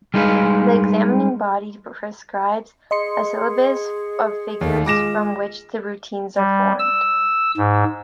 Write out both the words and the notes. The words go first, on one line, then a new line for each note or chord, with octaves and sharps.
The examining body prescribes a syllabus of figures from which the routines are formed.
G3 G#3 D#4 G#4 B4 F5
G#4 D#5 C6 C#7
D#2 D#3
G#3 F4 D6 A#6 E7
G3
E6
G#2